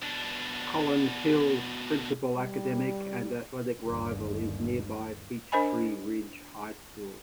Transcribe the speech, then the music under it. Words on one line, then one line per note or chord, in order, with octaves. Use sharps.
Collins Hill's principal academic and athletic rival is nearby Peachtree Ridge High School.
B2 D4
G3
G1 D#2
D4 A#4 C5 D#5 G#5 B5